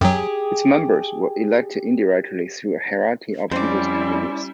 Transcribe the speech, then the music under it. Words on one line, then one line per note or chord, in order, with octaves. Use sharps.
Its members were elected indirectly through a hierarchy of people's committees.
F#2 F#3 G4 G#4
F2 G3 C4 C#4 E4 C5 D5